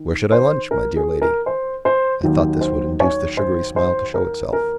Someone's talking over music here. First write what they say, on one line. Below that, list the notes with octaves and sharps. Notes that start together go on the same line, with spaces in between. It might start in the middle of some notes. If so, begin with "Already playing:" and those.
"Where should I lunch, my dear lady?" I thought this would induce the sugary smile to show itself.
Already playing: D#3
C5
A#4
G#4
A#4
C5
C5
D#2 D#3 F#3
C5
C#5
C5
C5
A#4
A#4